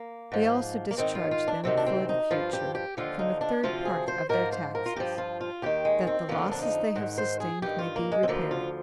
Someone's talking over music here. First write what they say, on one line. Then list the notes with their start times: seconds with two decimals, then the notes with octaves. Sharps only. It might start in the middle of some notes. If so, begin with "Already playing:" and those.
We also discharge them for the future from a third part of their taxes, that the losses they have sustained may be repaired.
Already playing: A#3
0.32 G#2 F3
0.91 A#3
0.97 G#2 D#3 C4
1.15 F4
1.31 F4
1.48 D4
1.64 D2 C3 D#3 C4
1.77 D4
1.86 C4
2.09 D#4
2.31 G2 F3 F4
2.53 G4
2.75 G4
2.97 D#2 D3 F3 F4
3.19 D#4
3.41 D4
3.63 D2 C3 F3 F4
3.85 G#4
4.08 C5
4.29 G#2 F3 A#4
4.52 C5
4.75 A#4
4.86 F4
4.96 G2 F3 G4
5.18 F4
5.41 F4
5.62 D#2 D#3 G4
5.85 G#3
6.07 C4
6.29 F2 D3 F3 A#3
6.52 D4
6.62 D#4
6.96 G#2 D#3
7.18 C5
7.40 G#4
7.62 G2 D#3 G4
7.79 F4
7.96 A#3
8.12 G#3
8.23 C4
8.28 D2 D3 F3 A#3
8.51 F4